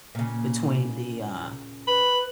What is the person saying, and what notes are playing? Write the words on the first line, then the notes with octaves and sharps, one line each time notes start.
between the, uh,
A#2 C#3
B4 B5